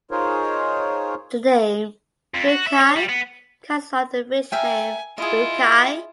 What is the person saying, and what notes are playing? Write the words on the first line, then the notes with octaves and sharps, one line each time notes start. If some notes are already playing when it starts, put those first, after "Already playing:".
The name "Rukai" comes from the village name "Rukai".
D#4 F4 G#4 A#4 C5 C#5
F2
F#4
E5
C#5
G3
B3
A#4 E5 G5 G#5
E4 F4 G#4 D#5